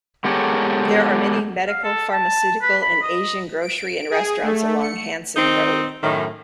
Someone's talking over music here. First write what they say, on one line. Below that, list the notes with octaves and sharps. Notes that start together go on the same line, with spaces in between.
There are many medical, pharmaceutical and Asian grocery and restaurants along Hanson Road.
G#3 B3 G4 A4 A#4 C#5
F5
A4
A5
B4
B5
D#5
D7
G#4
A3
C#7
D#3 C4 D#4
F#2 A2 D#3